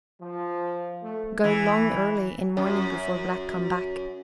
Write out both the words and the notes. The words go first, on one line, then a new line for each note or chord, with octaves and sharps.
Go long early in morning before Black come back.
F3
A3
E3
F#2